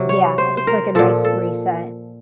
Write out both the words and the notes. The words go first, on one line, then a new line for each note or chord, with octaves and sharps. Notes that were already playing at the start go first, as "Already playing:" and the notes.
Yeah, it's, like, a nice reset
Already playing: C3 F#3
C#5
C5
C5
A#4
A#2 F3 A4
A4